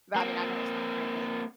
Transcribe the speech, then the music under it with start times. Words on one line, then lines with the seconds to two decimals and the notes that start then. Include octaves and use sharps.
but I mean, I know it's not brand-new.
0.15 A#3 C4